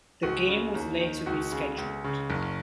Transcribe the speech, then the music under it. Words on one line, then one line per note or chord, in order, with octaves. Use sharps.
The game was later rescheduled.
C#2 F#4
C#3
D#2
D#3
C#2 F#4
C#3
C#2
C#3
F#1